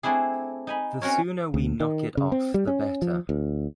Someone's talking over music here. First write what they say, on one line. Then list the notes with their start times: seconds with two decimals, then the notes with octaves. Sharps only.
The sooner we knock it off the better.
0.03 A3 C4 D4 E4 G#4
0.67 D#4 G#5 B5
1.02 C4 C#4 F#4 A#4 C#5
1.54 D2
1.80 D#3
2.17 C#3
2.32 C4
2.54 G3
2.67 C#4
3.02 F3
3.29 D2